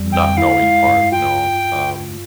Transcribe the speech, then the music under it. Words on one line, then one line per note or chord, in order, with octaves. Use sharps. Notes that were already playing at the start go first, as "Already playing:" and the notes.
not knowing part, you know? Um,
Already playing: F2 G3
F2 G5
E4 F5
G#3
G2
F4 G5